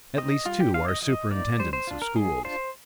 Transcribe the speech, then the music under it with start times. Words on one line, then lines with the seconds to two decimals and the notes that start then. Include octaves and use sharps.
At least two are superintendents of schools.
0.17 C4 D#4 D#5
0.45 G3 F4
0.60 G4
0.74 D4 F4 F5
0.88 D#5
1.02 F3 D#5
1.31 A#3 D#4 D5
1.59 G3 C5
1.73 C5
1.87 D4 F4
2.02 A#4
2.16 G3 G#4
2.45 D4 F4 C5